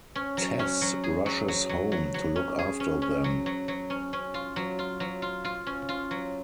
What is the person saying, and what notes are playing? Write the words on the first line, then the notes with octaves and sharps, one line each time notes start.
Tess rushes home to look after them.
C#4
F#3
C#4
F#3
G#4
F#3
F#3
F#3
F#3
F#3
C#4
G#4
C#4
C#4
F#3
F#3
F#3
C#4
C#4
F4
F#3
F4
F#3
F4
F4
C#4
F4
F#3